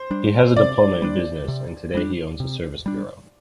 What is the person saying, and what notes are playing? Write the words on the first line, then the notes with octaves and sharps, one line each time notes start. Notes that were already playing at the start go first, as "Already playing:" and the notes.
He has a diploma in Business, and today he owns a service bureau.
Already playing: C5
G3 D4
C3 D5
G3 D4
C3
G3 D4
C3
G3 D4